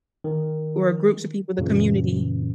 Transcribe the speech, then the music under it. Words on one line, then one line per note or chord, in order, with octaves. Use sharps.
where groups of people the community,
D#3
F#2 A#2 C#3 E3